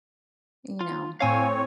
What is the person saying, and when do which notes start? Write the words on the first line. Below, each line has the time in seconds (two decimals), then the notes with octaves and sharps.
you know
0.81 F4
1.20 A2 C4 C#5 F5 G#5